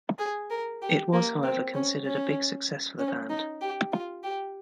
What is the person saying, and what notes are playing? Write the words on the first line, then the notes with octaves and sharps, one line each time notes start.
It was however considered a big success for the band.
G#4
A#4
G4
A#3
C4
C#4
C#4
C#4
D#4
G4
F4
G4